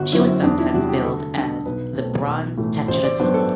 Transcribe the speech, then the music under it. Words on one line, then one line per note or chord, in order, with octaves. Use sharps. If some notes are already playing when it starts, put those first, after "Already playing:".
She was sometimes billed as "the Bronze Tetrazzini".
Already playing: G1 F#4
F#2 F#3 C4 E4
E2 D4
E4
C3 G3 F#4
G4
D2 A4
D3 G3 D4
B1 B4
B2 A3 C4
B1
A2 E3 A3
A1 C5
D5
G2 F#3 B3 D4 C5
A4